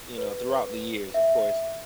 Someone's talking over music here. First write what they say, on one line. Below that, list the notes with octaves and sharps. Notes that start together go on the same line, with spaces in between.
you know, throughout the years, of course,
B4
E5